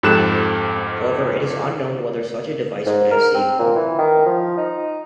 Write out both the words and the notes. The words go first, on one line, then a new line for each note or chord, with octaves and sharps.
However, it is unknown whether such a device would have saved Moore.
F2 G#2 G4 A4 F#6 E7
G#2
A#4
C4
A#2
E3
D#3
F3
D#4